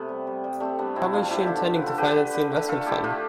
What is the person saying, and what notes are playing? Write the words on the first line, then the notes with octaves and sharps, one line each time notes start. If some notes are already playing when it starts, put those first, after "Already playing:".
How is she intending to finance the investment fund?
Already playing: C3 A3 B3
G3
G3
G3
G3 A3 C4
G3 B3 D4
B2 C4 E4
F3 D4 F4
D3 E4 G4
D3 F4 A4
F3
B4
D3
A4
D3 G4 B4
D3
D3
A3
D3 F4 A4
A3 E4 G4
D3 D4 F4